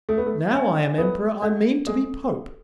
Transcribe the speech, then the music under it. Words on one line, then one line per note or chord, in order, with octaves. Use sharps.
Now I am emperor, I mean to be pope!
A3 A4
B3
A3
C#4 C#5 E5 G#5
B3 A4
A3 D5 F#5
G#3 A4